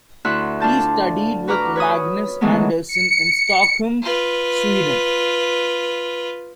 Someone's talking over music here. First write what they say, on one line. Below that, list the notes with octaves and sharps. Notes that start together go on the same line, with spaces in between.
He studied with Magnus Andersson in Stockholm, Sweden.
D2 E4 F#4 E5 C6 F#6
D4 F4 A5 G6
F#4 B4 A#5 D6 F6
B4 C#5 B5 D#6
D#3 E3 F#3 G#3 A3 B3
C#7
F4 B4